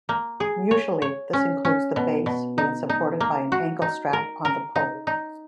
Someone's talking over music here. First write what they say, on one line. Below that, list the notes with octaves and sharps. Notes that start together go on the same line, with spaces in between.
Usually this includes the base being supported by an ankle strap on the pole.
A#3
G#4
C#5
C#5
C#4
C#4
B2
B2
D#4
D#4
A#3
F#4
D#4
A#4
A#4
D#4
D#4